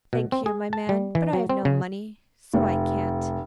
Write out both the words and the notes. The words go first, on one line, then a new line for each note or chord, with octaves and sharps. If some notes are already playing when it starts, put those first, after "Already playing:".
"Thank you, my man; but I have no money; so I can't."
B2
C4
G#4
A5
G3
E3
F#3
C4
C#3
F1